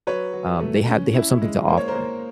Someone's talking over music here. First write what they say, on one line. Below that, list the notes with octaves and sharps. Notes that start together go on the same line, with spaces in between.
um, they have, they have something to offer.
F#3 B4 C#5
F#3
A3
C#4
E4
G#3
A#3 C5
C#5
A#4 C5
A#3